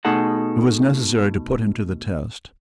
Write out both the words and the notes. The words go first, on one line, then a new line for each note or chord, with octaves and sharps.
It was necessary to put him to the test.
B2 A3 D#4 G#4 A4 F#5